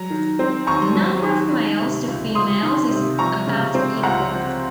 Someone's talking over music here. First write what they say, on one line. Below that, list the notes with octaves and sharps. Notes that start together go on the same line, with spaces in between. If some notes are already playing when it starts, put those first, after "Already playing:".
The number of males to females is about equal.
Already playing: F#3 A#5
D#3
C4
D#2 A#5 C#6
F#3
D#3
D#3
C3
C#2
C#2 C6 D#6
D#3
C3
F3 A#5 C#6
C#3
C4
C#2 F#5 A#5
F3